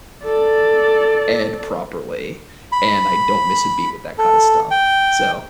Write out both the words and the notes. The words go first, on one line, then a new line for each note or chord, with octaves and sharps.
and properly, and I don't miss a beat with that kind of stuff, so,
A4 D5
B5
A4
G5